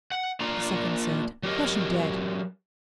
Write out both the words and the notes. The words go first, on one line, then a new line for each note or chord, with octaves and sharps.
The second said, 'Crush him dead.'
F#5
A#3 D4 F4 A#5
F#3 G4 A#4 D#5